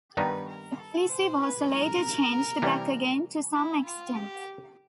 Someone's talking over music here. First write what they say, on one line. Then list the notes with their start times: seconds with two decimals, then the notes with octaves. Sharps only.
The policy was later changed back again to some extent.
0.17 G2 D#3 G3 B3 D#4 B4
0.48 A#4
0.79 A4
1.09 C5
1.41 B4
1.71 A#4
2.62 C3 E3 G3 A#3
3.54 E4
3.85 F4
4.15 G4